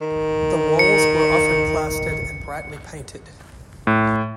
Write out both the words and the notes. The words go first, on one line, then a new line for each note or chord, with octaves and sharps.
The walls were often plastered and brightly painted.
D#3
C#7
A2